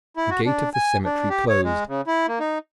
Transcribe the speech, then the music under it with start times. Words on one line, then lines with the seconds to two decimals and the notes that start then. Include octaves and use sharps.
The gate of the cemetery closed.
0.17 E4
0.30 F#4
0.46 D4
0.74 G#5
1.05 D4
1.29 G4
1.50 C#5
1.64 G#3
1.88 C#3
2.07 E4
2.28 A#3
2.40 D#4